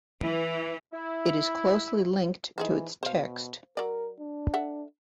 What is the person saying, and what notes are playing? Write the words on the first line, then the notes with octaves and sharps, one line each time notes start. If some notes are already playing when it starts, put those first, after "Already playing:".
It is closely linked to its text.
E3
E4
E3 D#4 G#4 C5
B2 C5 F5
F#3 A#4 D5
D4
A4 E5 F#5